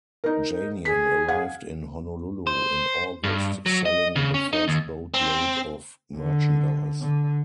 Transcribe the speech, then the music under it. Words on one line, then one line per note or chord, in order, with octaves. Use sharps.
Janion arrived in Honolulu in August, selling the first boat-load of merchandise.
D#4 A#4
G#4 B6
F5 F#5 G#6
C5
G2
F#3
D#5
C#3
C#4
D#4
D#2
C4
D3
D3